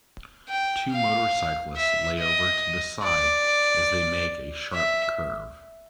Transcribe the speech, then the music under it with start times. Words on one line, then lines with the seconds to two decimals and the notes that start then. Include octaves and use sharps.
Two motorcyclists lay over to the side as they make a sharp curve.
0.49 G5
0.91 F5
1.76 E5
2.19 D#5
3.04 D5
4.74 E5